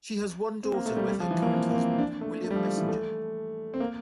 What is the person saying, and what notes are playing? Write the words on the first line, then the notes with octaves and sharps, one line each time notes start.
She has one daughter with her current husband William Messinger.
C4
A#3
A3
G3
G3
F3
E3
A#3
C4
A#3
C4
D4
A3
A3
G3
F3
F3
E3
A3
C4
A#3